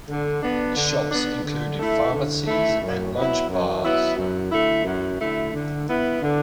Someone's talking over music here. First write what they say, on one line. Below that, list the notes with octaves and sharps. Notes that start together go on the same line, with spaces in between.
The shops included pharmacies, and lunch bars.
D3
B3 D4
D3
B3 D4
D3
A3 E4
D3
A3 E4
F#2
F#3 B3 E4
F#2
F#3 B3 E4
F#2
D3 A3 E4
F#2
D3 A3 E4
D3
B3 E4
D3